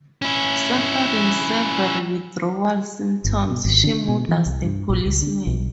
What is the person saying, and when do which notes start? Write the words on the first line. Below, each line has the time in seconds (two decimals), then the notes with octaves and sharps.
Suffering severe withdrawal symptoms, she murders a policeman.
0.22 C#4 E4
3.25 G1
3.50 B2
3.65 G#1
3.84 D3
4.08 B2
4.29 E3
4.46 C2
4.64 G2
4.90 A#1
5.06 C#2
5.22 D3
5.47 B1